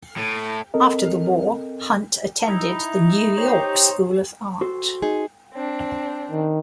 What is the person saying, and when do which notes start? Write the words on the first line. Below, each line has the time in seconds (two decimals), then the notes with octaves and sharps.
After the war, Hunt attended the New York School of Art.
0.18 A2
0.74 C4 A4 A#4 D#5
2.47 D#4 E4
3.38 G4 C5 C#5
4.61 F#4 A4 C5
5.02 D#4 G#4
5.53 C4 D4
6.31 D#3